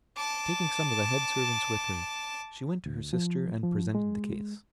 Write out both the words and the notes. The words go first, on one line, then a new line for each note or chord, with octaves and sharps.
Taking some of the head servants with her, she went to her sister and presented the case.
A5 D6
D2
F3
F3
G#3